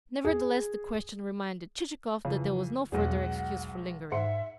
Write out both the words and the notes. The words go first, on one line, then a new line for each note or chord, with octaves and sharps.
Nevertheless the question reminded Chichikov that there was no further excuse for lingering.
G#4
F2 C#3 E3
B1 E2 G#3 G#4 F#5
G#2 E5 F#5 C6 C#7